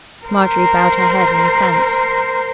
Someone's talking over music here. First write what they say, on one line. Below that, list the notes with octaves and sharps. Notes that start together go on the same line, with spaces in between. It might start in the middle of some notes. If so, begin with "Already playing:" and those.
Marjorie bowed her head in assent.
A#4 C5